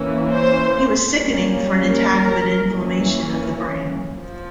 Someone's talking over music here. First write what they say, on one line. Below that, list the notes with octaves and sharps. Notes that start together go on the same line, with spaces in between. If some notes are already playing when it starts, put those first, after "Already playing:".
He was sickening for an attack of an inflammation of the brain.
Already playing: E3 A#3 C#4
C5
G3 A#3 C#4
A#4
E3 A#3 C#4
F3